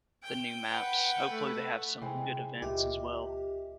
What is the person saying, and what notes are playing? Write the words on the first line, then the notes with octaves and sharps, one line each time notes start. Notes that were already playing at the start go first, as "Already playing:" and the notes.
the new maps. Hopefully, they have some good events as well.
G5
B4 F#5
A3
C3 E3 G#3 C4 G5 G#5
C#2 A#2 G4 D#5 E5